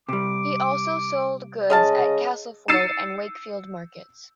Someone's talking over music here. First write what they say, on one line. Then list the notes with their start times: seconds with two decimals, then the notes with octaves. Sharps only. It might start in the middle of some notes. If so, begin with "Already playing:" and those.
He also sold goods at Castleford and Wakefield markets.
0.09 C3 G3 D6
1.70 C#3 G#3 D#5 F5 A5
2.68 E6 A6 C7 C#7 D#7 E7